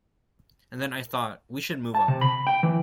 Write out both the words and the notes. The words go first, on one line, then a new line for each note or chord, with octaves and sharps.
And then I thought, 'We should move up.
A5
C3
B5
G5
E3